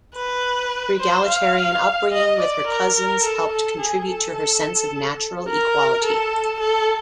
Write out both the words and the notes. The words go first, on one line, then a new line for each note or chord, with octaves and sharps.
Her egalitarian upbringing with her cousins helped contribute to her sense of natural equality.
B4
C5
F5
D#5
D5
A#4
A#4
A4
A4
G#4
A4
A#4
A4
A4